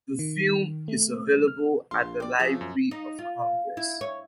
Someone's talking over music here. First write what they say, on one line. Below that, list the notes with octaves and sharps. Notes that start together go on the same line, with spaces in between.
The film is available at the Library of Congress.
D#3
A3
F6
A#1 F5 C6
G4 D5
F3 A3 B3 D4 G#4
F#2
D#4
F4
E4
C#5